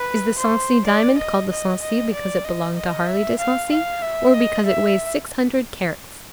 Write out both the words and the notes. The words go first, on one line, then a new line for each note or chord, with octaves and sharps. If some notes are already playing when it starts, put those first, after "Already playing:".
Is the Sancy diamond called the Sancy because it belonged to Harley de Sancy, or because it weighs six hundred carats?
Already playing: B4
C5
D5
D#5
D#5
D#5
D5
D#5
D#5
E5
F5
F5
E5
D#5
E5